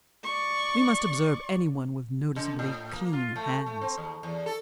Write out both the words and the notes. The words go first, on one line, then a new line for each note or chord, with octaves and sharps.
We must observe anyone with noticeably clean hands.
D5 C#6
C#3
A2
A#3
F4
A3
A3
C4
D#2
E2
A4